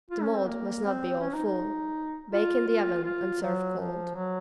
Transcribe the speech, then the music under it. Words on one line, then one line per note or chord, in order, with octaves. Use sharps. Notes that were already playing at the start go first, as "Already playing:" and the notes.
The mold must not be all full. Bake in the oven and serve cold.
F4
C#4
C4
A#3
C4
C#4
D#4
D#4
F4
F4
F4
F#3
F3
F#3